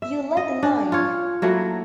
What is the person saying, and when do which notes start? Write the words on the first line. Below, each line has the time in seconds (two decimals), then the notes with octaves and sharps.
You led the line.
0.02 E5
0.37 D#5
0.63 D4
0.92 F4 C#5
1.42 F#3 A3 A#3 E4